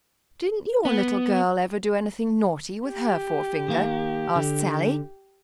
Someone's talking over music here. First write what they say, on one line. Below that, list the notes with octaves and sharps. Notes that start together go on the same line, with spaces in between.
"Didn't your little girl ever do anything naughty with her forefinger?" asked Sallie.
B3
G4
D#3 A#3
D3